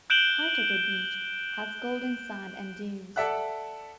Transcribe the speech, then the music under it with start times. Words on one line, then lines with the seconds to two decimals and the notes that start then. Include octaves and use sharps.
Kaitoke Beach has golden sand and dunes.
0.10 F#6 G6 D7 E7 F#7 G7
3.16 A4 D5 E5 F#5 F#6